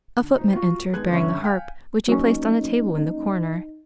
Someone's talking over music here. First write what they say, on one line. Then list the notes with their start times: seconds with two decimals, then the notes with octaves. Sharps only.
A footman entered, bearing the harp, which he placed on a table in the corner.
0.20 D3
0.37 D#4 C5
0.53 F4 F#4
0.93 D#2 G#3 B3 F#6 G#6
1.11 G1 D3 C#4 C#5 E5 C#7
1.43 F5 G5 G#5 F6 B6
2.08 F#3 A#3 C#4 D#4